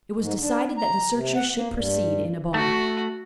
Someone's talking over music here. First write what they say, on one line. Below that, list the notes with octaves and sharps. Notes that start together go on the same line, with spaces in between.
It was decided that the searchers should proceed in a body.
G#2
D4
A#5
C3
F#5
A#3
G2
A3 F#4